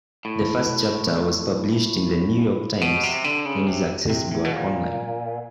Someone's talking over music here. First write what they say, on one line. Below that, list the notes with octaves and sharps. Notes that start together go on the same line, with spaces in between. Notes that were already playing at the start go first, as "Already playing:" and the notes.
The first chapter was published in the "New York Times" and is accessible online.
A2
B2
C3
D3
C#3
C3
C3
A2
B2
A#2